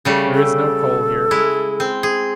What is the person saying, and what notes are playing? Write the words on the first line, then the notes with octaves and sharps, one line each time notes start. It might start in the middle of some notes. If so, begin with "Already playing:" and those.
There is no coal here.
C#3 G3 A3
A4
G#3 E4
C4
G#4